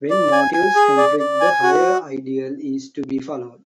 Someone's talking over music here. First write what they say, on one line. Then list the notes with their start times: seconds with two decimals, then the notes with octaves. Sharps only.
When motives conflict, the higher ideal is to be followed.
0.10 D5
0.32 G#5
0.54 G#5
0.75 G#4
0.97 D5
1.19 D5
1.41 G#5
1.63 F#4